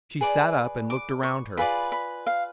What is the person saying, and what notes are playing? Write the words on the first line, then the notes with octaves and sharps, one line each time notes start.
She sat up and looked around her.
G#4 B4 D5
D6
C#6
F4 G#4 B4 D5 B5
B5
F5